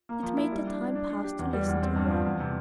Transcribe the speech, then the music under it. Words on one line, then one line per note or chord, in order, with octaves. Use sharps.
It made the time pass to listen to her.
A#3
F3
E4
G3
D4
D4
D4
D4
G4
E2
G3
E2
C4
G2
F3
E2
C3